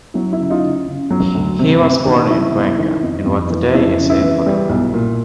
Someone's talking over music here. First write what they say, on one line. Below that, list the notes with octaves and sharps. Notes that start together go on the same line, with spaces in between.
He was born in Cuenca in what today is Ecuador.
F#3 E4
E4
C#3
D#4 F4
C#3
C#3
F#3
D2
C3
C3
D#3
C3 E4
E2
D#3
F2 D#4
F2
E3
F2 E4
C#3
E4
E3
G3
B1
A#2